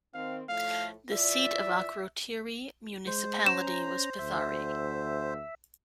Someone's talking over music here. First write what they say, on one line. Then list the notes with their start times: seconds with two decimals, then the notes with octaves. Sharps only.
The seat of Akrotiri municipality was Pythari.
0.14 D#3 C4 F5
0.49 A2 F3 A3 F5
1.12 E3 F4 D5 E5
3.07 G#3 C5
3.46 C#4 A#5 E7
4.19 D2 E5